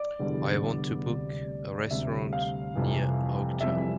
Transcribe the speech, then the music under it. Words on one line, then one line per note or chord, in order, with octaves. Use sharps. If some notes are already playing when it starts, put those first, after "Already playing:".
I want to book a restaurant near Oaktown.
Already playing: D5
F1 E2 D3 G3
D2 C3 G3
D2 C3 G3 E5
F5
F1 F2 C3 E3 G3
F1 F2 C3 E3 G3 E5